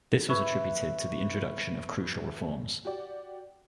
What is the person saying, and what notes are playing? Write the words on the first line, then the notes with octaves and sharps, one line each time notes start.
This was attributed to the introduction of crucial reforms.
B4 C#5 E5
F#4 G4 D5